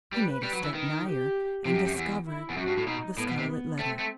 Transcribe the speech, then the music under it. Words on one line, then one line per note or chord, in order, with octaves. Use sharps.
He made a step nigher, and discovered the scarlet letter.
G3 B4
G3
F#3
E3
D#3
G4
C3 G4
F#2
F#2
E2
E4
E2
F#2 F#4
G2
A2
B2 D#4
A2 B3
B2
C3
B3
A3 C4
A3